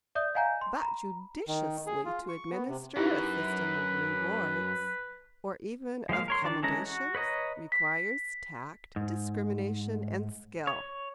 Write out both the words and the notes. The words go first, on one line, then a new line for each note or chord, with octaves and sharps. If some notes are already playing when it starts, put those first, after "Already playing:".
But judiciously to administer a system of rewards, or even of commendations, requires tact, discrimination, and skill.
D5 E5 D#6 G6
D#5 F5 F#5 G#5 A#5 G6
C6
A#5 B5
D#3
G#4
F4
C#6
B3
C3
F#2 D#4 E4 G4 B4
F3 G#3 A#3 F5
A#4 C#5 C6
D#3 D4 D5
E3 G#3 C#4 A4 A#5
F#4
B4 C#5 D#5 A#5
B6
G#2
C#5